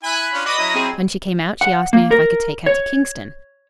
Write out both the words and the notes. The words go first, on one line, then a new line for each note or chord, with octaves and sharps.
When she came out she asked me if I could take her to Kingston.
E4 G#5 B5 F#6
C#4 D4 F4
F#4 B4 D5 D#5 B5 D#6
F#3 C#4 E4
C4 G#4
F#5
A#3
A#4
C#5